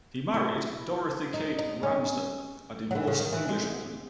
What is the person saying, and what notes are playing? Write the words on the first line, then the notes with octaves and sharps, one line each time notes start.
He married Dorothy Kate Ramsden, a divorced Englishwoman.
E4
D#4
D#4
C#4
F#3
E3
C#3
D#3
E3
G#3